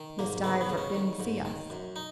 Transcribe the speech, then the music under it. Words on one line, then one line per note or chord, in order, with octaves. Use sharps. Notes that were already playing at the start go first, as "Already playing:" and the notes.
This diver didn't see us.
Already playing: D#3
G#2 A#3
C#3 B3
B3
C#3
C#4
D#3
G#2
D#3
F#2
D#4